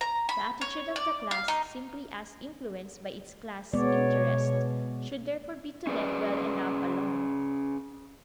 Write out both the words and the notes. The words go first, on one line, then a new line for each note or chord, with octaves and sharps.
The attitude of the class, simply as influenced by its class interest, should therefore be to let well-enough alone.
A#5
B5
C#5
D5
F5
D#4
B2 G#3 B3 C#5 D5
C#4 G#4 B4 D5